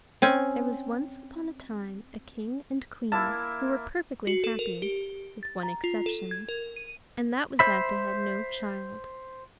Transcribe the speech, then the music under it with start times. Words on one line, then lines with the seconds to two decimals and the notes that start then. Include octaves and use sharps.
There was once upon a time a King and Queen who were perfectly happy, with one exception, and that was that they had no child.
0.22 C4 C#4 G#5
3.12 A#3 E4 A5
4.27 F#4
4.44 A4
4.59 A#4
4.82 G4
5.43 A6
5.63 A#5
5.84 F4
6.06 A4
6.31 G#6
6.49 A#4
6.76 D#7
7.59 C5 E5 B5